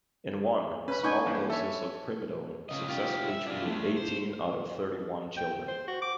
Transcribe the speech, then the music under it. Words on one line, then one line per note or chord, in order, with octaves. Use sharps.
In one, small doses of primidone successfully treated eighteen out of thirty-one children.
C#4 B4 B5
D4 D#4 G#5 B5 C#6 G6
G2 E3 A#3
A4 C#5 E5
C#3 D#5
F4 G4
E5
D4 F4
D3 A3
C5
G5
C5
F#4
D6